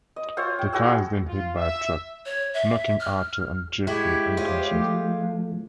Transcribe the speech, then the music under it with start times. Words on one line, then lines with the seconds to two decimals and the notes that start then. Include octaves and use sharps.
The car is then hit by a truck, knocking Arthur and Jeffrey unconscious.
0.16 D#5
0.37 F4 C5 C#5 E5
0.59 G5
0.73 E4 F#4 G#4 E5
1.28 F4
1.57 E5
2.26 C#5
2.54 E5
3.00 F6
3.87 G#3 E4 F#4 G4
4.37 G#3 F4 C5 C#5
4.71 F3 A3